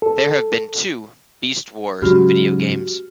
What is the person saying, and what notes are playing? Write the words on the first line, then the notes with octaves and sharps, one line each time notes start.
There have been two "Beast Wars" video games.
A4
G#2 C#3 F#3 F#4 G4 F6